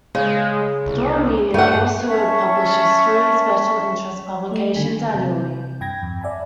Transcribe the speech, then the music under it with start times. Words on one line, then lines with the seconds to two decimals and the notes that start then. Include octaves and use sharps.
Dwell Media also publishes three special interest publications annually.
0.15 C#3 G#3
0.86 C2
1.54 G2 A3 F#5
2.08 C#4 E5 A5 C#6
4.51 A3 D#5
4.76 D3 D#3 G3 G#5 B6
5.11 C3 G6
5.81 G2 G5 B5 G#6 A#6
6.03 F2
6.21 D5 E5 F#5 G#5 A5 B5